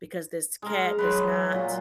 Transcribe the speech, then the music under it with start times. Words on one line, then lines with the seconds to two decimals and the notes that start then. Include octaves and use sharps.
because this cat does not,
0.62 G#3 A#4
0.99 F#3 B4 C6
1.52 A#2